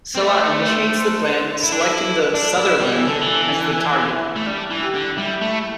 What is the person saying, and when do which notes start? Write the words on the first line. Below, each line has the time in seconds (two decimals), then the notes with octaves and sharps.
Sela initiates the plan, selecting the "Sutherland" as the target.
0.15 C4
0.22 A3 C5
0.93 C5
1.63 E4 A4
1.72 D4
1.81 E4
2.34 D4 D5
2.58 E4
2.81 G3
2.95 E3
3.05 D3 A4
3.21 E3
3.76 A4
4.12 E4
4.36 A3
4.46 G3 D4
4.70 E3
4.82 G4
4.94 D3
5.17 G3 E4
5.41 A3